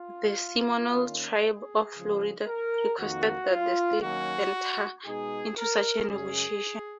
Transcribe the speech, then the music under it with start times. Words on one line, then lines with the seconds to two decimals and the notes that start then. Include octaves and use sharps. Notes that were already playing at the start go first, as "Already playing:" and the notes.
The Seminole Tribe of Florida requested that the state enter into such a negotiation.
Already playing: F4
0.92 D#3 A#3 C#4
1.43 G#4
1.95 C#3 F3 G#3
2.47 A#4
2.98 F2 D#3 A#3 F#4
3.50 F4
4.01 D#3 F#3 A#3 C#4 F#4
5.05 B2 G#3 D#4 G#4
5.57 A#4
6.09 F#2 C#3 G#3 C#4 G#4